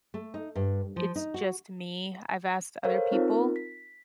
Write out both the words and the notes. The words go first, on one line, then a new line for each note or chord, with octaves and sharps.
It's just me. I've asked other people
A3
D#4
G2
F3
D#4
F#4
A4 A#4 C5 C#5 F5
C4 D#4 F4 A#4
B6